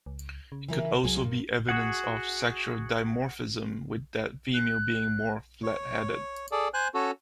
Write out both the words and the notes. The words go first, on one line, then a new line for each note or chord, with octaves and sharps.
It could also be evidence of sexual dimorphism with the female being more flat-headed.
C#2
C#3
E3 E4 A#4
C2 F#3 G#4
G2 A#2
F#4 G#4 F#5
F#6
C#5
G#4 A4 D5
C5 G#5 F#6
C#4 F#4 A4